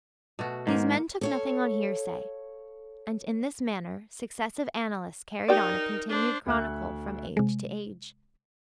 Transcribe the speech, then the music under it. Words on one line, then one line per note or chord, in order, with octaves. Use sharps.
These men took nothing on hearsay: and in this manner successive annalists carried on a continued chronicle from age to age.
B2 A3 F#4
G#2 D#3 A#3
A4 C#5 F5
D#4 G4 A#4 D5
D4 C5
D2 E5 F#6
C3 G#3